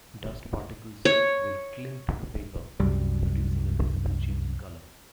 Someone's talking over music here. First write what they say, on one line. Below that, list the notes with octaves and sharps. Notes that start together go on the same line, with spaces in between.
Dust particles will cling to the paper, producing a visible change in color.
C#5
C2 F#2 G3